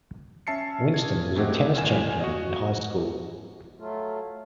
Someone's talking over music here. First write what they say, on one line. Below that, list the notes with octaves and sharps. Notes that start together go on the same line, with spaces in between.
Winston was a tennis champion in high school.
C#4 E5 A5 C7 C#7
A1 G#6
F#2 A3 C4 G4 D#5 F#5
D2 A2 F5 G#5 E7
F#4 D#5
F#3 A3 F4